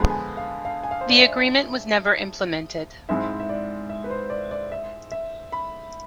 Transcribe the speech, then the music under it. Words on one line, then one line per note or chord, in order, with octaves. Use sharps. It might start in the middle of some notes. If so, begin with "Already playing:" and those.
The agreement was never implemented.
Already playing: F2 D3 F3 G#3 B3 A5
G#5
F5
F5
G#5
F5
C5
D5
E5
G#2 G#3 C4 E4 E5
E5
D5
E5
B4
C5
D5
D5
E5
E5
B5